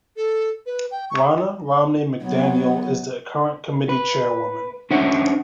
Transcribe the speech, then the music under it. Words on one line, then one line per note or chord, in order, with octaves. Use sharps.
Ronna Romney McDaniel is the current committee chairwoman.
A4
B4
G5
C#6
F#3 B3
B4
C#4 D4 C5 E5 F#5